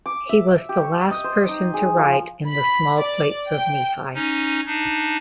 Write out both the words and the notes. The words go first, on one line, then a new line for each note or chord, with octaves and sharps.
He was the last person to write in the small plates of Nephi.
D6
E5
G4
C#6
D#5
C5
D#4
G#4
F3
B5
D5
G5
C#4 D#4
D4 D#4